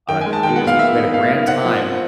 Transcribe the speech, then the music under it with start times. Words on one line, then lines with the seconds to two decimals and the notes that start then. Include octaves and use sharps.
I'm at the theaters, we had a grand time.
0.09 D#3 G5
0.21 G#3 G#5
0.33 A5
0.43 D#3 G5
0.56 B3 F#5
0.67 F5
0.79 A#3 E5
0.96 D#4
1.13 D#4 F5
1.30 A#3
1.48 C4 F#5
1.65 F3
1.82 C4